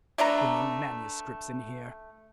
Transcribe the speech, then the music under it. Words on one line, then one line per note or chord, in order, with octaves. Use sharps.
Bringing manuscripts in here!
A3 D4 B4 A#5